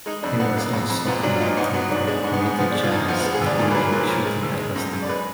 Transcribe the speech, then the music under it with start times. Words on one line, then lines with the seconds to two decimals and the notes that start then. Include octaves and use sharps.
He was also convicted of related charges, including shooting Acosta.
0.06 G#3 D#4
0.23 F2 D4
0.40 F2 B3
0.56 G#3 A#3
0.73 F2
0.90 F2
1.06 A#2 B3
1.23 F#3 D4
1.36 F4
1.41 A#2 D#4
1.57 G#2 B3
1.74 F#3 B3
1.91 G#2 D4
2.07 G#3 D4
2.24 G#2
2.33 B3
2.41 G#2
2.58 F3 B3
2.71 D4
2.74 G#3
2.83 F4
2.91 D#2 D#4
3.08 F3 B3
3.20 B3
3.26 G#3
3.34 G#4
3.41 D2
3.47 D5
3.58 A#2 A#4
3.71 B4
3.75 F#3
3.87 A#4
3.92 A#2 B4
4.08 F3 A#4
4.25 G#3
4.43 D2
4.59 G#3
4.75 F#2
4.93 F#2
5.03 D5
5.09 G#3 B4